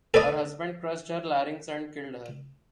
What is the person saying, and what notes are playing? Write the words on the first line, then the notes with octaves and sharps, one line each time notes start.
Her husband crushed her larynx and killed her.
A4 B4 D5 D#5